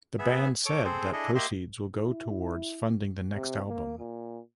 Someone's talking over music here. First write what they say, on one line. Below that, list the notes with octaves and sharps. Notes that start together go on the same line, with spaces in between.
The band said that proceeds will go towards funding the next album.
B3 G#4 E5
A4 C#5 D6
C4 G#4 A4 C5
D4 E4 G#4 A4 D#5
A#3 G4 D#5 E5 C6
E4
C3
A#3
A#2